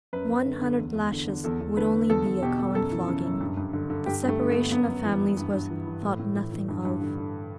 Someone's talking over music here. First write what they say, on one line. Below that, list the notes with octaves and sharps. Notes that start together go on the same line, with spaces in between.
"One hundred lashes would only be a common flogging." The separation of families was thought nothing of.
F#2 B4
F#2
D3
D3
E2
E2
D3
D3
E2 A4
E2
D3 B4
D3
E2 A4
E2
B2 G4
B2
F#2 A4
E3
C#3
F#2
G2
G2
D3
D3
G2 G4
G2
A3
D3
B3
D3
F#2 B3
F#2
E3
E3
G2
G2
E3
E3
A2
A2
E3
E3
G2
G2
D3
D3